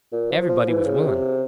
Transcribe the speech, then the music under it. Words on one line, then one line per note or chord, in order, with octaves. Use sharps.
Everybody was willing.
A#2
F3
F3
E3
C#3
C3